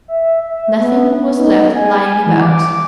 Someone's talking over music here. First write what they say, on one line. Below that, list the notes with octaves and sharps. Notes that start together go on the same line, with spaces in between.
Nothing was left lying about.
E5
E5
B3
D#4
G#5
E3
D6